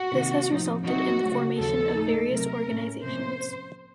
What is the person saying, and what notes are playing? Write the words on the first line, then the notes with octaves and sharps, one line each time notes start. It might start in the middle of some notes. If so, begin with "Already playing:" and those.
This has resulted in the formation of various organizations.
Already playing: F#4
C3 D#3 A#3
A2 F3 C4 D#4
C3 F#3 C4 D#4 F#4
C#3 F#3 A3
D#2 C#3 F3 A3 A4
A2 A3 D#4
C3 F#3 A3 C4 A#4
A2 A3 C#4
C3 F3 A#3 C#4 C5